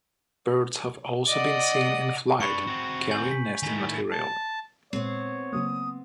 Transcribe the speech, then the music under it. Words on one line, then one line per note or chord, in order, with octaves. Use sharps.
Birds have also been seen in flight carrying nesting material.
D5 D#5 F#5
D4 B4 B5 C#6 C#7
C4 F#4
G#5 G6 F#7
B6
A2 D#3 G#5 B6
A5
A#2 G#3 B3 C4 C#5 C7
C#3 F#3 A#3 D#6